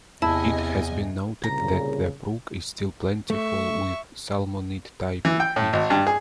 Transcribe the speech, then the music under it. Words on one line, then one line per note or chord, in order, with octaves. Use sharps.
It has been noted that the brook is still plentiful with salmonid type fish.
E2 C3 E4 D#5 G#5 A5
C2 A#2 C#3 A#5
A3 E5 C#6
E3
G5
A2
G#1
G2
G#4